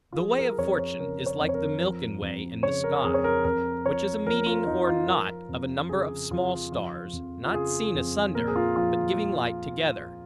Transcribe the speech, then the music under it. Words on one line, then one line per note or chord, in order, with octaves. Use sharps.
The way of fortune, is like the Milken Way in the sky; which is a meeting or knot of a number of small stars; not seen asunder, but giving light together.
F4
F3 G#4
A#4
F2 C#5
C#5
C#3 A#4
C#5
F2
C#5
A#4
F3
F2
C#3 C#5
A#4
F2 G#4
C#5
A#4
F2 A#4
F3 C#5
F3 A#4
F4
F2 D#4
F4
F3 A#4
F2
C#3 G#4
F2 F4
F3 F4
F2
F4
C#3 G#4
F2
A#2 A#4
G#4
F4
F3 F4